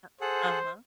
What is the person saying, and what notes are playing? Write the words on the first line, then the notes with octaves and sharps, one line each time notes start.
Uh uh-huh.
G#4 A4 C5 F#5